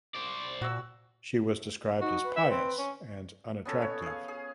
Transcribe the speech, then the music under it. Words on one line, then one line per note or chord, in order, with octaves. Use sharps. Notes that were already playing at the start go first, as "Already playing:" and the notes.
She was described as pious and unattractive.
C5 D5
A#2 F#4 E6
D#4 F#4
B4
E5
C4
C#4
B3 C#4 A4
C#5
G#4 F5
G#4